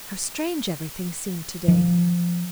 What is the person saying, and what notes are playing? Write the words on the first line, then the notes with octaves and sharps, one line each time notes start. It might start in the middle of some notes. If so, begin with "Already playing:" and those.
How strange everything seemed to-day.
F3